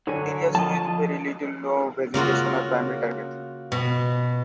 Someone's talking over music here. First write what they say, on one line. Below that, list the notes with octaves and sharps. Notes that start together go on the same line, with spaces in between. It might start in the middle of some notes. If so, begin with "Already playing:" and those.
Areas with very little to no vegetation are the primary target.
D3 F#3 C#5 G#5
F3 D#5 A5
C#3 A#3 F4 F#4
B2